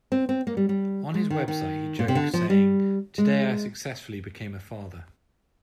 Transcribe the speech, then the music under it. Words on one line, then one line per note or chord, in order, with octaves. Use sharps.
On his website he jokes saying, "Today I successfully became a father!"
C4
C4
A#3
G3
G3
G#3
D#3
D#3
A#2
C3
D3
F3
G3
G#3